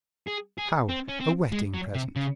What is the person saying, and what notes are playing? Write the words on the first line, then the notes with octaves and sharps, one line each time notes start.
"How a wedding present?"
G#4
G#4
C4
C#4
C4
G#3
F#3
C3
C#3